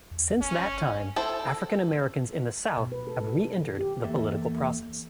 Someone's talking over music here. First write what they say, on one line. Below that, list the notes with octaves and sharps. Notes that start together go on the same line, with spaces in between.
Since that time, African Americans in the South have re-entered the political process.
E2
G1 C#4
E4 A4 C5
B2
B4
A4
D#3
G4
E2 A#3 A4 E5